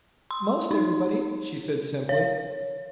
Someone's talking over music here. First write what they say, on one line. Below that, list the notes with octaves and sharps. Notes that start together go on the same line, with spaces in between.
"Most everybody," she said simply.
C6
D#4
C#5